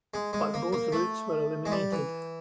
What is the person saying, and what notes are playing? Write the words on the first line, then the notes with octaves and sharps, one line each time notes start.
But both routes were eliminated.
G#3
G#3
A#3
A#3
A3
G#3
G3
E3